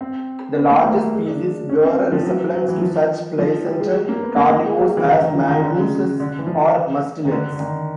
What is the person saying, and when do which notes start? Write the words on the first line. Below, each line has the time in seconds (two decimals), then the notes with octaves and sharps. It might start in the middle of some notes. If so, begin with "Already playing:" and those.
The larger species bear a resemblance to such placental carnivores as mongooses or mustelids.
0.01 C4
0.56 B3
0.71 A#3
0.85 A3
1.13 G#3
1.28 D4
1.69 C#4
1.84 C4
2.12 F3
2.25 F#3
2.54 F#3
2.68 E3
2.81 F3
3.39 F3
3.66 G3
3.80 G#3
4.09 A#3
4.23 B3
4.36 A#3
4.50 A#3
4.65 G#3
4.79 G3
4.97 E3
5.06 D#3
5.21 D#3
5.35 F3
5.49 D#3
5.63 D3
5.77 C#3
6.20 D3
6.38 E3
6.47 F3
7.25 D#3
7.31 D3
7.52 D3
7.60 D#3